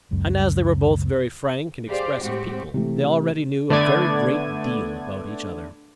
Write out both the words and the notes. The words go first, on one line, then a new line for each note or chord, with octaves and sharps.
And as they were both very frank and expressive people, they already knew a very great deal about each other.
F#1 C#2 F#2 C#3
G4 G#4 C5 D5 F5
A2 G#3 C4 F#4 G4
C3 E3 A3
D3 A3 B3 D5 G#6 D#7